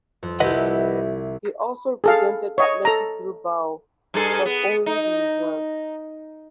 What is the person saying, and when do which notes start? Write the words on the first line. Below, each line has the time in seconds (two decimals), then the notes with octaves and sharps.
He also represented Athletic Bilbao, but only the reserves.
0.23 F2
0.40 C2 E4 G4 B4 D#5 F#5
2.04 G#4 A4 F5
2.58 C#5 D#5
2.85 A4 A#5
4.14 G2 G#4 A4
4.46 B3
4.86 D#4